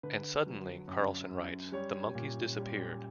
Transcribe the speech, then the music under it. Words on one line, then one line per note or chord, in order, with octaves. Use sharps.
And suddenly, Carlson writes, the monkeys disappeared.
D3 B4
F#3
F#2
F#2
G3 C#5
A#2
G3